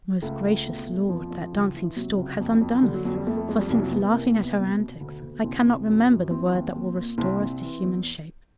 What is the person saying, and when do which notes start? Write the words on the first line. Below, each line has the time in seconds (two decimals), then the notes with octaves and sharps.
"Most gracious lord, that dancing stork has undone us, for, since laughing at her antics, I cannot remember the word that will restore us to human shape."
0.22 C#2 A3
0.44 C#2
0.66 B2
0.87 B2
1.09 F2 F3
1.30 F2
1.53 C#2
1.74 E3
1.96 C3 F#3
2.18 C#2
2.40 F2
2.61 F2
2.83 D3 G3
2.94 F#3
3.04 F2 F#3
3.16 G3
3.27 F2 A3
3.37 A3
3.48 F2 G#3
3.59 G3
3.70 C2 G3
3.81 F#3
3.92 C3 B3
4.03 B3
4.13 C2 A#3
4.28 B3
4.35 C3
4.42 B3
4.57 B2 B3
4.78 B2
5.01 D2
5.22 D2
5.44 C2 C4
5.66 C2
5.87 F#2
6.09 F#2
6.31 E3 C4
6.53 D#2
6.74 A#2
6.96 A#2
7.18 C2 C4
7.40 C2
7.61 E3
7.83 E2